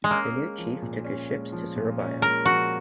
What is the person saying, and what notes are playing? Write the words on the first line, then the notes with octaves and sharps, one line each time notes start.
The new chief took the ships to Surabaya.
G#3
A#3 C#4
G#3
F3
A#2
C#4
G#3
F3
A#2
C#4
G#3 A#4
F3 F#4